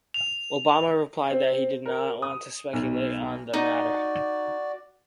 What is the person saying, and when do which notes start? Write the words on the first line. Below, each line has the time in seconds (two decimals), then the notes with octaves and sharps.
Obama replied that he did not want to "speculate" on the matter.
0.14 F7
1.30 C4
1.86 A#4
2.22 D#6
2.73 B1
3.54 D#4 F#4 D5